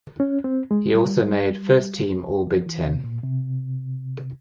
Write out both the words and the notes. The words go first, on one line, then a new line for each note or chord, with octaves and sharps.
He also made First Team All Big Ten.
C#4
C4
G#3
G3
F3
E3
C3
A#2
C3